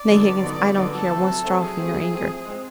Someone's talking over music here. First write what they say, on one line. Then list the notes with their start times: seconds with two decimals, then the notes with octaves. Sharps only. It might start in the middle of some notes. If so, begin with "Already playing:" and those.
Nay, Higgins, I don't care one straw for your anger.
Already playing: D5
0.10 D3 F#3 B3 D#4
0.26 G2
0.43 D3 F#3 B3 D#4
0.61 G2
0.77 D3 F#3 B3 D#4
0.94 F#3 A4
1.11 A3 C4
1.28 F#3
1.44 A3 C4
1.61 F#3 G#4
1.78 A3 C4
1.94 F#3
2.11 A3 C4
2.29 F3
2.45 G#3 C4